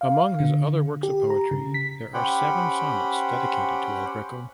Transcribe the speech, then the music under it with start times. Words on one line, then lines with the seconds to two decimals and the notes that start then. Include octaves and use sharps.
Among his other works of poetry there are seven sonnets dedicated to El Greco.
0.01 F5
0.40 D3
1.03 G4
1.30 A#5
1.51 C#3
1.74 B6
2.14 C#4 G4 C5 F#5 G5 B5